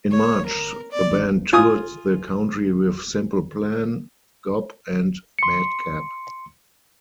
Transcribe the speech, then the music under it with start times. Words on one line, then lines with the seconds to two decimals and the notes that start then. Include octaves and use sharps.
In March the band toured the country with Simple Plan, Gob and Madcap.
0.11 C#5
0.45 A#4
0.91 D5
1.53 F4 G#5 D#6
5.39 C6 C#7